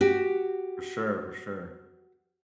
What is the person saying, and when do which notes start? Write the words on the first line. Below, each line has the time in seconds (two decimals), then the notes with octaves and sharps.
For sure, for sure.
0.01 F#4 G4